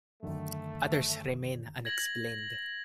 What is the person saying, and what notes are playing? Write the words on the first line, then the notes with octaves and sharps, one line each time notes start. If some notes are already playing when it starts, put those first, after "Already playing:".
Others remain unexplained.
F#2 D3 D#3 A3
G#6 A#6 F#7